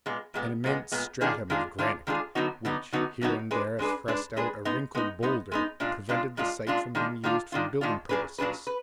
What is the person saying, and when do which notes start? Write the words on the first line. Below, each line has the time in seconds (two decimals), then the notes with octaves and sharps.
An immense stratum of granite, which here and there thrust out a wrinkled boulder, prevented the site from being used for building purposes.
0.06 A#2 G#3 B3
0.34 A#2 G#3 B3
0.64 A#2 G#3 B3
0.92 A#2 G#3 B3
1.21 D#3 G#3 D4 F4 G#4
1.50 D#3 G#3 D4 F4 G#4
1.78 D#3 G#3 D4 F4 G#4
2.07 D#3 G#3 D4 F4 G#4
2.35 D3 F#3 B3 D#4 F#4
2.65 D3 F#3 B3 D#4 F#4
2.93 D3 F#3 B3 D#4 F#4
3.21 D3 F#3 B3 D#4 F#4
3.51 G#3 D4 G#4 B4
3.79 G#3 D4 G#4 B4
4.08 G#3 D4 G#4 B4
4.37 G#3 D4 G#4 B4
4.65 G#3 B3 D#4
4.95 G#3 B3 D#4
5.23 G#3 B3 D#4
5.52 G#3 B3 D#4
5.80 A#2 G#3 D4 F4
6.09 A#2 G#3 D4 F4
6.37 A#2 G#3 D4 F4
6.67 A#2 G#3 D4 F4
6.95 D#3 G#3 D4 F4
7.24 D#3 G#3 D4 F4
7.52 D#3 G#3 D4 F4
7.81 D#3 G#3 D4 F4
8.09 A#2 F#3 D4 G#4 B4
8.38 A#2 F#3 D4 G#4 B4
8.67 B4